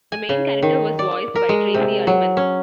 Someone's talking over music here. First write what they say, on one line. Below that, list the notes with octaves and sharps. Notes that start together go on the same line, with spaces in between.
The main character was voiced by Tracey Ullman.
G#5
C#3
D#3
D5
A#4
G#3
C3
F#3
C#4